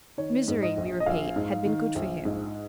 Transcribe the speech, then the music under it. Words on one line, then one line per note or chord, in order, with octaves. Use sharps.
Misery, we repeat, had been good for him.
D#3 C#5
G#2
D#5
A#1
D#5
A#1 F5
G#2
D#3
A#1
G#2